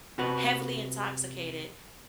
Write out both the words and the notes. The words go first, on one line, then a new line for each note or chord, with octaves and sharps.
heavily intoxicated,
C3 F#4 B4